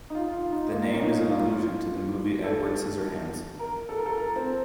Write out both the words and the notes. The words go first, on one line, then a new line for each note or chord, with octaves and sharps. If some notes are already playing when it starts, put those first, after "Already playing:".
The name is an allusion to the movie "Edward Scissorhands".
D#4
F4
F4
D#4
A#3
C#4
D#4
F4
A4
A#4
A4
A#4
A4
A#4
C4